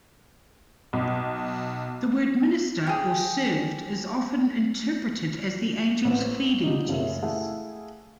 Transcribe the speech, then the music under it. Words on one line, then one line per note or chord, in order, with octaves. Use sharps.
The word "minister" or "served" is often interpreted as the angels feeding Jesus.
B1
G4 G#4
A1 A2 C4 B4 E7
F3 G3 D#4
F#1 C#3 A3 A#4 E5
A3 E4 G#4 F5 F#5